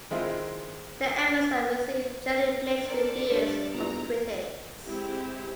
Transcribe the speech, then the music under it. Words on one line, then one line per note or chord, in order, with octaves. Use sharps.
The episode received generally mixed reviews from critics.
D#3 G#3 C4 E4 F4
C4 A4 A#4 D5
G2 D4 C#5
B3 E4 F4 A#5
G#3 C4 E4 G4